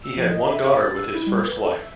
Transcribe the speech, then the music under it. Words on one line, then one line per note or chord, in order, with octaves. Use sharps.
He had one daughter with his first wife.
E6
F3
D#5
E5
B5
A6
E6
E4
G3
B4
A4
E5